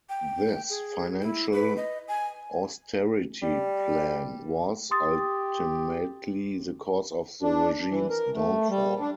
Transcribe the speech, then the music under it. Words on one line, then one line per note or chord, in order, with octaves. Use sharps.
This financial austerity plan was, ultimately the cause of the regime's downfall.
G5
G#4
E4
B4
D#5
G#5
G3
G4 C6 D#6 A6
D4
E3
A#4
A3
G3
D4